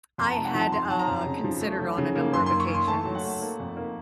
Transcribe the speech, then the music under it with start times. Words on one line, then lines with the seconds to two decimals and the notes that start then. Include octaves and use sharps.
I had, uh considered on a number of occasions
0.18 F2 C6
0.26 A#5
0.32 A5
0.37 C3
0.45 F#5
0.55 F3 A5
0.72 F2 C6
0.90 F#3 A5
0.99 A#5
1.08 F2
1.26 C#3
1.44 F3
1.61 A3
1.80 F#3
1.98 C#3
2.15 A#3
2.34 F#2 C6
2.46 C6
2.52 A#3
2.60 C#6
2.69 A#3
2.74 C6
2.87 A3 A5
3.05 F#3
3.15 F#5
3.23 A3
3.42 A#3
3.60 F2
3.77 A#3